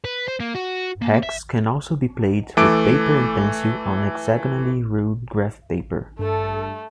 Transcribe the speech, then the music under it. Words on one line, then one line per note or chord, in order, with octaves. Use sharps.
Hex can also be played with paper and pencil on hexagonally ruled graph paper.
B4
C5
A#3
F#4
A#3
E5
E3 A3 A4 D6 D7
G2 A3 A4